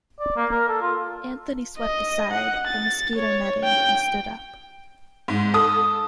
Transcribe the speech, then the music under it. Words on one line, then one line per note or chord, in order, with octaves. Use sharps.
Anthony swept aside the mosquito-netting and stood up.
D5
A#3
A#4
A4
F4
D#5
F#5
A6
C#5
G5
G#2
A4 D#6